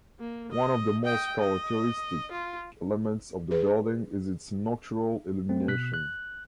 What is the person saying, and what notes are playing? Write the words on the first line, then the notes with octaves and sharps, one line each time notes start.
One of the most characteristic elements of the building is its nocturnal illumination.
A#3
D#5
D#5 G5
D#5
F4
G#4 B4
A3 C4
B2 F#6 B6
F#6